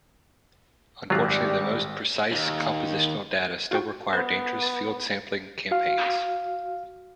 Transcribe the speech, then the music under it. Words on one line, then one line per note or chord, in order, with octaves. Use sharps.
Unfortunately, the most precise compositional data still require dangerous field sampling campaigns.
G#1 F#3 G3 F4 G4 F#6
D#2
F4 F#4 G5
B3 C5
A6
F#4 F5